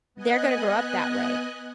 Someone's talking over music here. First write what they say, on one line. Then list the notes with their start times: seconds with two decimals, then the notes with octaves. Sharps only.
they're gonna grow up that way.
0.14 B3 D#5 G#5 F#6